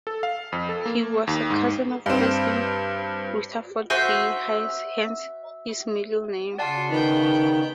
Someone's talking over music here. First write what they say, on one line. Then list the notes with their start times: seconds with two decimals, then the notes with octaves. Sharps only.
He was a cousin of President Rutherford B. Hayes, hence his middle name.
0.07 A4
0.23 F5
0.52 F2
0.69 A4
0.86 A#3
1.27 D#2
1.50 G#2
2.06 G2 C4
3.90 F#4 C5 E5 G#5
6.58 C#3 F4 D5 F#5 A5
6.90 D#3 B3 G5